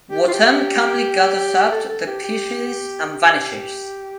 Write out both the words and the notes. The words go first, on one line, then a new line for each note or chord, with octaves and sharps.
Wotan calmly gathers up the pieces and vanishes.
G4
F4
G4
A4
A4
G4
G4
G4